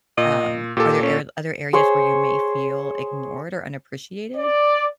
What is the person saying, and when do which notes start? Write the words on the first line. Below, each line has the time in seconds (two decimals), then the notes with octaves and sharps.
Um, are there ar other areas where you may feel ignored or unappreciated?
0.18 A#2 D#5
0.77 A#2 G4 A4
1.03 C#4
1.73 G#4 C5 C#5
4.37 D5